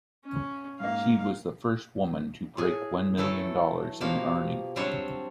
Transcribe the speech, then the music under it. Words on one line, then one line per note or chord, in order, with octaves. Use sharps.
She was the first woman to break one million dollars in earnings.
C#4
G#2 A#3 F5
A2 G#4 G#5
E3 F#3 A3 E4 A4
B2 F3 A#3 F#4 G4 F5
F#3 G3 C4 D4 C5 C#5